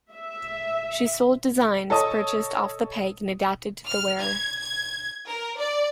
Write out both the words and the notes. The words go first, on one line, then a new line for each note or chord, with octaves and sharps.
She sold designs purchased off the peg and adapted to the wearer.
E5
A4 C#5 D#5 A5 D#6
F6
G#6
G#6
A#4
D5